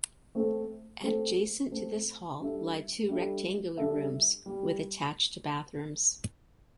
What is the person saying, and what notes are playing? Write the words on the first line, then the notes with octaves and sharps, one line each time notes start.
Adjacent to this hall lie two rectangular rooms with attached bathrooms.
A3 C4 A4
A3 C4 A4
A3 C4 A4
G3 D4 A4 E5
G3 D4 A4 E5
G3 D4 A4 E5
G3